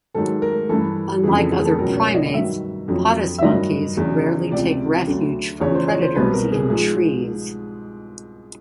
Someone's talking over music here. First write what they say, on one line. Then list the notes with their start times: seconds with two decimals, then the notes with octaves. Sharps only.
Unlike other primates, patas monkeys rarely take refuge from predators in trees.
0.15 G#2 D#3 F#3 A4
0.42 A#4
0.69 G2 E3 A4
1.24 F2 C#3 E3 G#4
1.38 A4
1.51 G#4
1.66 A4
1.78 C#2 B2 F#3 A#4
1.97 C#5
2.15 D#5
2.34 G2 D#3 F#3 E5
2.88 F2 D3 F#3
3.38 E5
3.42 G2 D#3 F#3 D#5
3.97 E2 C#3 F#3
4.51 C#2 C3 F3 D5
5.07 D2 D3 F#3
5.61 E2 C#3 F3 C#5
5.75 C5
5.88 C#5
6.02 C5
6.15 C2 B2 F#3 B4
6.34 A#4
6.52 G#4
6.70 G#2 F3 G#4